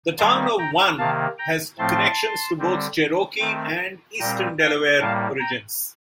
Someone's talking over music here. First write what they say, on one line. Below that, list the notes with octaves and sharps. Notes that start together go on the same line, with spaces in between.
The town of Wann has connections to both Cherokee and Eastern Delaware origins.
D#3 G3 A#3 A5 C6
G5 A#5
C3 D#3 A#3 F5 A5
G5 A#5
A2 F3 A3 C4 A5 C6
D3 G3 C4
D#3 A3 C4
A#2 G3 C4 G5 A#5
F5 A5
A2 G3 A#3 F5 A5
G5 A#5